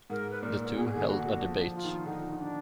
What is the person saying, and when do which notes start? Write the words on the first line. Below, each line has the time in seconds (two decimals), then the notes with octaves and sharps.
The two held a debate.
0.10 G#2 A#4
0.31 B4
0.42 A#2 A#4
0.64 A#4
0.75 B2 G#4
0.87 A#4
0.92 D3 G#4
1.08 F#4
1.19 D3
1.25 F#4
1.41 F3
1.62 F3
1.73 F4
1.84 D#3
2.06 D3 D#4
2.27 D#3
2.39 D4